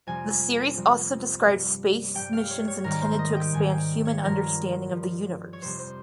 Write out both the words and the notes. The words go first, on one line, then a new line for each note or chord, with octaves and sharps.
The series also describes space missions intended to expand human understanding of the universe.
F2 C3 G3 G#5
F2 C3 G3
G2 G3
G2 G3 G5
F5
C#5
C#5
G#2 D#3 G3 A#4
C5
D#5
G5
G#2 D#3 G3 G#5
G5
C#5
G2 F3 A#4
G2 F3
C#5
F2 C3 G3 C5
C5